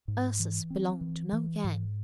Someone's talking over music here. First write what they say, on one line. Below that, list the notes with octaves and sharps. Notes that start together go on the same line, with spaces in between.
Ursus belonged to no gang.
G#2
E3
C4
E3
E3
G#2